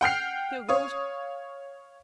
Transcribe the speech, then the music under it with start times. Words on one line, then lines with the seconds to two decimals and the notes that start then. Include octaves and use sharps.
'Here goes!
0.01 F#5 G5 F6 C7
0.69 C#5 F5 D#6